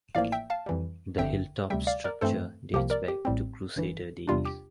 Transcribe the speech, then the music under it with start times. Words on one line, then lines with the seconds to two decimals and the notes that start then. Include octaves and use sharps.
The hill-top structure dates back to crusader days.
0.15 A1 A2 F3 A#3 D5 F5
0.32 E5 G5
0.50 F5 A5
0.66 F2 E3 G3
1.18 G1 F2 D3 E5 G5
1.70 D2 C3 G3 E5 G5
1.87 D5 F5
2.04 A#4 D5
2.21 G2 E3 A3 C4 A4 C5
2.73 C2 C3 F3 A#3 G4
2.90 A#4 D5
3.08 G4
3.25 A1 A2 G3 C4
3.76 G1 G2 E3
4.28 E2 C3 G3 D4 F4
4.45 G4